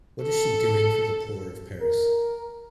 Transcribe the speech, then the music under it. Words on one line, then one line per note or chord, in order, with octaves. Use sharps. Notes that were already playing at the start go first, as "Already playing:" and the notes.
What is she doing for the poor of Paris?
A4
A#4